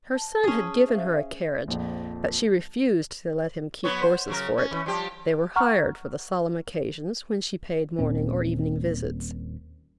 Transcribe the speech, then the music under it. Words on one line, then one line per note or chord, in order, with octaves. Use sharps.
Her son had given her a carriage; but she refused to let him keep horses for it; they were hired for the solemn occasions, when she paid morning or evening visits.
A5
C#4 G#4
C5 E5 F5
A#1 F2
F#3 B3 C#5
C5
C#3 F#3 A#4
C#4
E3 C#4
F3 G3 G4
F#5 A#5 C#6 F6
D#1 A#2 C4 C#4